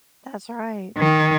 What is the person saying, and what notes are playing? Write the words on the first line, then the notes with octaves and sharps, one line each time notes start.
That's right.
D#3